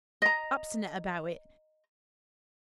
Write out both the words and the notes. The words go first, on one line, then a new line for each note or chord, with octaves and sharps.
Obstinate about it.
D#5 A#5